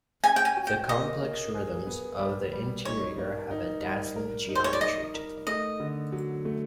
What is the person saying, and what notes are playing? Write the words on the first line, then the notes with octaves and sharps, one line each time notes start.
The complex rhythms of the interior have a dazzling geometry to them.
C#4 G#5
G5
G#5
F#4
G5
A#3 D#5
A#3
G#4
B3
G3
G3
D#4 C#5
A#3
D#4
G3
A#4
D#4
C5
C#5
D5
D#4 D#5
A#4
A3 D#5
D3
F#3
A3